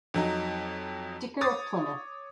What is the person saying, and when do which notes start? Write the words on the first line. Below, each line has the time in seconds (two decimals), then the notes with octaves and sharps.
Dicker of Plymouth.
0.14 F2 F#3 D#4
1.41 C#5 D6 D#6 A6